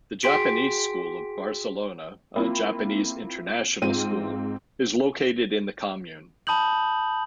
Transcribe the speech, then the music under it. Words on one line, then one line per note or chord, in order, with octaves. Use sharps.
The Japanese School of Barcelona, a Japanese international school, is located in the commune.
F#4 G#4 G5 C6 B6 D7
A#3 C4 E4 F4
G#2 C4 F4 D#7
A5 B5 D#6 G6 F#7